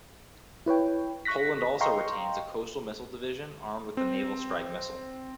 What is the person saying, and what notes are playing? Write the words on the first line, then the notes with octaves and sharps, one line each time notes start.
Poland also retains a Coastal Missile Division armed with the Naval Strike Missile.
E4 B4 C#5 G5
C#6 F#6 A#6 B6
D#5 F5 G5 A#5 C6 C#6
C4